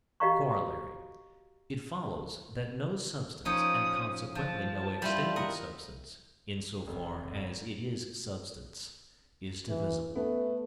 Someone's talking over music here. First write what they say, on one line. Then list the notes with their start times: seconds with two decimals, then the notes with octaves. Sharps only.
Corollary.--It follows, that no substance, and consequently no extended substance, in so far as it is substance, is divisible.
0.20 F#4 G4 D#5 F5 A#5 C#6
3.45 F3 C#4 D#4 D#6
4.35 F3 A5
5.02 G3 E4 F4
5.36 A#4 D#5 F#5
6.87 F1
9.69 E3
10.16 A3 B3